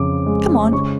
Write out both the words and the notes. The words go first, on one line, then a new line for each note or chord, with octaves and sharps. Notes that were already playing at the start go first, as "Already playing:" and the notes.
Come on.
Already playing: F2 C#3 D6
G#3
C#3 C#6